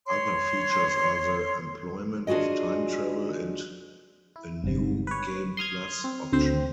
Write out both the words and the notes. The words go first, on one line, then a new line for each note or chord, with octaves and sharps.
Other features are the employment of time travel and a "New Game Plus" option.
C#5 C6
D4 F4 F#4 G#4 D#5
E4
G1 C3
B4 C#5
C6 D#6 F6 G#6
C4
D2 C4 C5